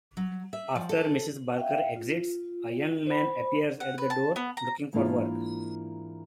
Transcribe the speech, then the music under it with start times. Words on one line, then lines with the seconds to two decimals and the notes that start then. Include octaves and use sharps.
After Mrs. Barker exits, a Young Man appears at the door, looking for work.
0.17 F#3
0.53 E5
0.76 F3
0.89 A4
1.57 E5 F5 G5
1.96 F4
3.07 C5 B5
3.80 F#5
3.98 B4
4.10 A5
4.36 B3
4.57 A#5
4.93 G#2 E3 A#3 D4 E4 F4